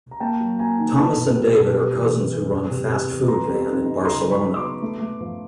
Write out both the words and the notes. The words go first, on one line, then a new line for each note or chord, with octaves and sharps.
Thomas and David are cousins who run a fast food van in Barcelona.
A#5
A#3 G5 A5
F#3
A#3 G#5 A#5
D#3
B3 A5 B5
B2
G3
B2
G3
E3
E3
E3
E2
C3
C3
E2
B3 A#5 C6
G3
D#4
D#4
C#3 A#5 C6
F#3
B5 C#6
B3
C6 D6
B3
A3
A3
F3